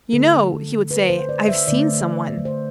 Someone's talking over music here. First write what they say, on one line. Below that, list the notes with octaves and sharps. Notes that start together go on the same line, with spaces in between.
"You know," he would say, "I've seen someone."
D3 A3 A4
B4
C5
D5
E5
D3 A3 D5
C5